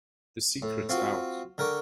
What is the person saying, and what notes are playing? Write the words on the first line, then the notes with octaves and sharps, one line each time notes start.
The secret's out.
A2
C4 F4 F#4
D3 A#4 G5 C#6 D6